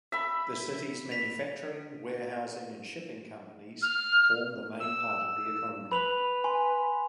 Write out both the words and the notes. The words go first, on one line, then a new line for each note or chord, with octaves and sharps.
The city's manufacturing, warehousing, and shipping companies form the main part of the economy.
E5 B5
B6 F7
F6
E6
B4 B5 F7 F#7
G#5 C6